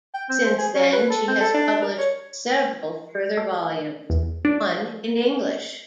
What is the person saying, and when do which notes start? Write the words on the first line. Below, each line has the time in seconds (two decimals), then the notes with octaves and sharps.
Since then she has published several further volumes, one in English.
0.14 G5
0.29 C4
0.46 C5
0.58 G#4
0.75 C#4
0.93 B4
1.10 A4
1.28 C4
1.41 A4
1.54 D4
1.82 A#4
1.98 C#5
3.37 A3
4.10 E2
4.45 D4